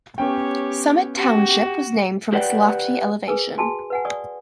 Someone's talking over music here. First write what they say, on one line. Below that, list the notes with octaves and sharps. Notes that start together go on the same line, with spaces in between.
Summit Township was named from its lofty elevation.
B3 C#4 G4 C#5 G5
F#4 G4
G4 B4 C5 D5 F#5 G5
G#4 A#4 B4 G#5
F#4 G#4 G#5 A5 C6
B4 F#5 G#5
D5 G#5 C#6 D#6